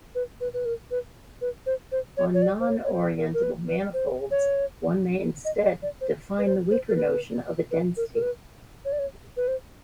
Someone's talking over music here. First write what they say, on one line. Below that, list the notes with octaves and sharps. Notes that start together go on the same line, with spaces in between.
On non-orientable manifolds, one may instead define the weaker notion of a density.
B4
B4
B4
A#4
B4
B4
C5
C5
C#5
C#5
D5
C5
C#5
C#5
C5
A#4
A#4
B4
B4
C5
C#5
D#5
D#5
D5
C5
B4
C5
C5
A#4
B4
B4
A#4
A#4
B4
C#5
D5
C#5
B4
C5